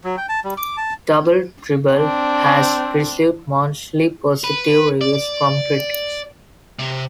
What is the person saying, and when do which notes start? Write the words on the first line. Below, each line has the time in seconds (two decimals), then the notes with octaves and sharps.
"Double Dribble" has received mostly positive reviews from critics.
0.04 F#3
0.17 G5
0.29 A5
0.45 G3
0.57 D6
0.77 A5
1.95 C4 D4
4.44 B4
5.01 D5
6.79 C3